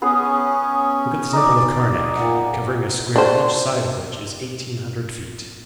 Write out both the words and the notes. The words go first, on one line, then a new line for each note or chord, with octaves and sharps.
Look at the Temple of Karnac, covering a square each side of which is eighteen hundred feet.
B3 C#4 G#4
D#4 D5
A#2 F#5
D4 C5